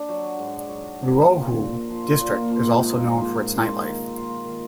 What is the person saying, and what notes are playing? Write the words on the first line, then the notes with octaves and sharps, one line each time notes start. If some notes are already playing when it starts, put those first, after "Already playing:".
Luohu district is also known for its nightlife.
Already playing: D4
F#3
F#4
G#2
D4
F#3
F#4
G#2
A#3
F3
F4
A#2
A#3
F3
F4
A#2
A#3
F3
G#2
G#2
A#3
F3
G#2
G#2
F4
A#3
D#3
D#3
F4
A#3
D#3